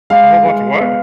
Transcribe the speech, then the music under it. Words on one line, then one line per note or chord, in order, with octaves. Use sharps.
A whole bunch of what?
G#3 F5
G#3
B3